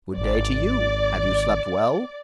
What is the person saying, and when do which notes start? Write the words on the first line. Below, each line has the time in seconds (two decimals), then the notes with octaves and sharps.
"Good-day to you; have you slept well?"
0.18 G#1 D5